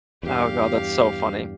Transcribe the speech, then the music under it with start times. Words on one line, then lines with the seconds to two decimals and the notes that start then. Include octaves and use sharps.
Oh god. That's so funny,
0.23 E2 G2 G4 F5